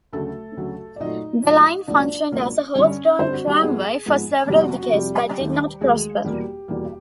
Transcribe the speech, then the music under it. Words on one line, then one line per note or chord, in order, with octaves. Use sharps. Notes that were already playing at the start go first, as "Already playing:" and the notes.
The line functioned as a horse-drawn tramway for several decades, but did not prosper.
D2 C#3 F#3 A3 A4
D2 C#3 F#3
D5
A#2 F#3 A3 D#4 D#5
A#2 F#3 A3
C#2 B2 F#3 A#3 D4 D5
C#2 B2 F#3 A#3
G2 D3 G3 C#4 C#5
G2 D3 G3 C4 C5
F#4
G3 G4
G#2 F3 G#3 B3 G#4
G#2 F3 G#3 B3
F2 C3 F3 G3 G4
F#4
F#4
F#4
F2 C3 F3 G3 G4
D#2 D#3 F#3 A3
D#2 D#3 F#3 G#3 A3 G#4
E2 B2 G3 A#3 G4
E2 B2 G3 A#3